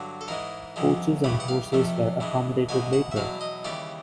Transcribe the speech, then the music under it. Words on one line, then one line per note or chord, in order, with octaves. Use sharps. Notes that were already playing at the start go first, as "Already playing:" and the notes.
Coaches and horses were accommodated later.
Already playing: G2 D3 F#3
A4
G#2 E3 G#3 A#4
C2 C3 F3 G#3
C#2 C#3 E3 G3 B4
F#5
F5
F2 C3 F3 A3
G2 E3 G#3
C2 B2 G#3 G#5
F#5
E5
E2 B2 F#3 F5
D#5
D#2 C#3 E3 G3 D5